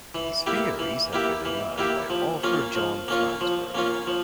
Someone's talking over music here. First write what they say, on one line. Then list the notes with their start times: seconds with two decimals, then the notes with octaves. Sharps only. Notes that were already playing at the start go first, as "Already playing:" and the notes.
These theories have been denied by author John Flansburgh.
0.15 E3
0.46 A#3 E4 G4
0.79 E3
1.13 A#3 E4 G4
1.45 E3
1.78 A#3 E4 G4
2.10 F3
2.43 A#3 C#4 F4
2.75 F3
3.08 A#3 C#4 F4
3.41 F3
3.75 A#3 C#4 F4
4.07 F3